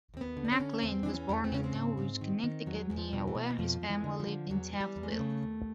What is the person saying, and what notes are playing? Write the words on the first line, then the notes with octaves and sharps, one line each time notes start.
Mac Lane was born in Norwich, Connecticut, near where his family lived in Taftville.
D#2 C4
B3
D3
D4
C#4
D3
E2 C4
E3 D4
C#4
E2
C4
C#3 C#4
C4
G#2
G#2
D#3
D#3
E2 F#3
E2
F3
B2
E3
B2
E3
F2 F3
F2
E3
D3
F3
D3
E2 F#3
E3
G3
E2
G#3
A3
C#3
D#2